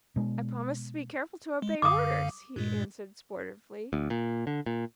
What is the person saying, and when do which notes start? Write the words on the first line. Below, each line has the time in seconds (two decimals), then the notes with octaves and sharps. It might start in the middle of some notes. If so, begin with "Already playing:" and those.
"I promise to be careful to obey orders," he answered, sportively.
0.16 B2 G#3
1.62 G#3
1.82 F#2 D3 F5 D6 D#6
2.56 G2 A#2 G#3
3.93 D2
4.10 A#2
4.47 D3
4.66 A#2